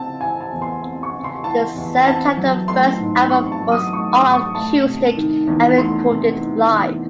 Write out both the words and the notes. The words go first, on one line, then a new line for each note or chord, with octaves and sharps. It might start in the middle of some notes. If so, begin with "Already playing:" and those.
The self-titled first album was all acoustic and recorded live.
Already playing: C#3 C4 A5
E3 G#5
A5
E2
C6
C4 C6
C#6
C#3
C6
E3 A5
E2
C4 A5
F#3
A3 C6
G#2
C4 C#6
A5
F#3
D#6
A3 C#6
D#6
G#2
C#6
A3 A5
C3
D#3
E2
A3 C6
C3
D#3
E2